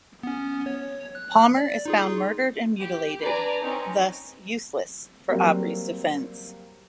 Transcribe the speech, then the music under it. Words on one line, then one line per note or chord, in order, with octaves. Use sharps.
Palmer is found murdered and mutilated, thus useless for Aubrey's defense.
B3 C#4
C#5
F#6
D5
D#4 F4 G#4
G4
D4 B4 D5 G#5 A#5
C4 C#4 D#4
F#3 G3 A#3 C4